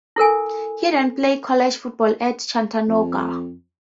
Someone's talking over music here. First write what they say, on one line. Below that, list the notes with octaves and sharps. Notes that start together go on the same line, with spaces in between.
He then played college football at Chattanooga.
E4 A4 A#4 G#5
F2